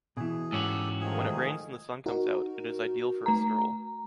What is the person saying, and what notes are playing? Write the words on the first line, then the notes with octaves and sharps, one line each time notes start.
When it rains and the sun comes out, it is ideal for a stroll.
B2 E3 G#4
G#2 C#4 F#4 G4 A4
D#3 F3 A3 G#4
D#4 F#4 A#4
A3 A#5